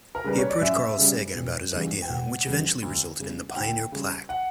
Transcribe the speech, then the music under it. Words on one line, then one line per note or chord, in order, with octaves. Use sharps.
He approached Carl Sagan about his idea, which eventually resulted in the Pioneer plaque.
A#4
C#3 G3 B4
C#5
D5
F#2 E5
C#3 G3
E1
E2 C#3 E3 G3
G5
E1 F#5
E2 C#3 E3 G3
D2
C#3 G3
F#5
D2 G5
C#3 G3
F#5